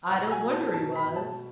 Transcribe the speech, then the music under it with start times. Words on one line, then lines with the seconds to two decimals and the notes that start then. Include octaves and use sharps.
I don't wonder he was.
0.10 B2 F#5
0.32 G#5
0.42 F#3
0.53 A5
0.73 B2 A5
0.95 B5
1.06 B2
1.16 A5